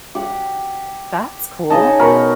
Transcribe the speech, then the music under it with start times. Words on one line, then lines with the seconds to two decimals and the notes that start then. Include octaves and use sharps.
That's cool.
0.15 G4 F#5
1.70 C#3 D#4 D#5 A5
1.99 B2 A#4 B5 C#6